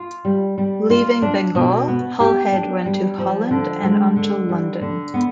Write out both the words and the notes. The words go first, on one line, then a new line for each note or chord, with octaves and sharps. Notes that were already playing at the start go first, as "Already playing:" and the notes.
Leaving Bengal, Halhed went to Holland, and on to London.
Already playing: F4
G3
G3
F4
D4
B2
B3
G4
D4
G3
F3
D3
G#3
D3
G3
D3
B3